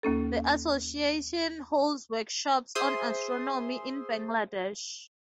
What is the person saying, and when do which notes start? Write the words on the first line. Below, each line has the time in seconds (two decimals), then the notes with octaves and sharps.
The Association holds workshops on astronomy in Bangladesh.
0.03 D#2 A#3 C#4 A4
2.75 G#4 C5 E5 C6 D#6